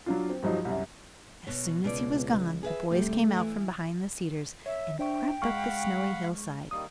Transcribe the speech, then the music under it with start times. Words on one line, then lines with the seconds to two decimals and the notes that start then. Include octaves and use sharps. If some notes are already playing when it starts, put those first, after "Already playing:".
As soon as he was gone, the boys came out from behind the cedars, and crept up the snowy hillside.
0.06 F#3 D4 F4
0.29 C4
0.42 G2 F3 F#3 D#4
0.65 C2 F#2
1.47 B2 C#5
1.84 C#2 B2 B4 D5
2.63 G#4 B4 E5
2.91 C3 G3 A3
3.36 E3 E4
4.66 C#5 E5
4.99 D4 C5 E5 G5 C#6
5.42 G#3 F5 F#5 B5 C#6 F6
6.71 D#3 G3 A#3 D#6